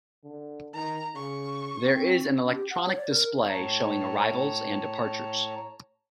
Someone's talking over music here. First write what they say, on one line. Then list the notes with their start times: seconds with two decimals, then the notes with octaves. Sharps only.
There is an electronic display showing arrivals and departures.
0.24 D3
0.74 D#3 A#5
1.15 C#3 C#6
1.87 C4
2.42 C#4
2.54 G4
2.71 F#5
2.85 C#5
2.97 D5
3.09 A#4
3.48 A2 C#5 A5 A#5